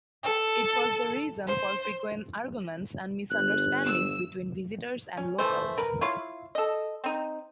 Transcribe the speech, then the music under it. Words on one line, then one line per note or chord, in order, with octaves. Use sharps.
It was the reason for frequent arguments and misunderstandings between visitors and locals.
A4
C5
G1 F#6
E6
C#4
E3 F3 A3 C5
A#4 B4
E4 F4 C#5 F5
A4 D#5
C4 D#4